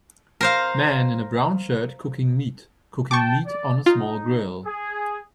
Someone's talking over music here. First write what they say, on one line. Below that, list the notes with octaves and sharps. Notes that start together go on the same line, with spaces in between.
Man in a brown shirt cooking meat cooking meat on a small grill.
A#4 C5 F5
G5 A5 C#6 D6
D5
D#4 F4
G#4